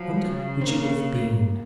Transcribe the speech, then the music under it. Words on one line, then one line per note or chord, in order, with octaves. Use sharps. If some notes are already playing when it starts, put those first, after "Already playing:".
I wonder which it would have been?
Already playing: F3 F#3
C#3
C4
A#3